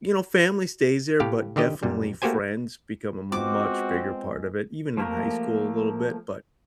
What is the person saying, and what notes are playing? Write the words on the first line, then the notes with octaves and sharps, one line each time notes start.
you know, family stays there, but definitely friends become a much bigger part of it, even in high school a little bit. But
A2 G4 F5
D3 D#3 G4 D#5
F#2 A#2 G3
A3 A#3 F#4 G4 C5 G#5
G#3 B3 C4 F4 F#4 D6
F3 A3 A#3 G4 A#4